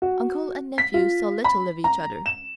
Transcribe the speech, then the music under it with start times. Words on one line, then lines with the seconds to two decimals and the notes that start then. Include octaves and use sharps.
Uncle and nephew saw little of each other.
0.02 F#4
0.78 B6
0.94 F4
1.44 B5
1.84 A#5
2.26 E7